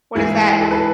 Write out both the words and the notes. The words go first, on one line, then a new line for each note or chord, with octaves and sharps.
what is that?
G#2 E3 G#3 E4 G#4
A4
B4